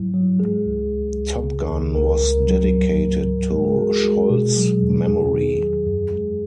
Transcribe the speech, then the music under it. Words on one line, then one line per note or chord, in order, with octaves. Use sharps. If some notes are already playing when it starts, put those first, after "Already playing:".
"Top Gun" was dedicated to Scholl's memory.
Already playing: G#2 F#3 E4
F#3
G#3 G#4
C#2
C#2
C#2
C#3
C#2
C#2 A#4
C#2
F#3
G#2
G#2
E3
G#3 A#4
G#4
G#3 F#4
G#4
G#3
B2
F#3
E2
E2 G#4
D#3
F#3
F#2
G#3